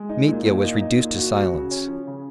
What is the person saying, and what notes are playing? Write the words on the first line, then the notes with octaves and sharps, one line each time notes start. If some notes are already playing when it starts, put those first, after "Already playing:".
Mitya was reduced to silence.
Already playing: G#3
D#4
A#2
A#2
D#4
D#4
A#2
F#4
F#4
C#3
C#4
F3
C#3